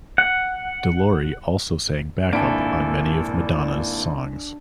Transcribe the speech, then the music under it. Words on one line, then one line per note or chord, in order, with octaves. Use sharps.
De Lory also sang backup on many of Madonna's songs.
F#5
G#1 A#2 A#3 D4 E4 A4 G#5 D7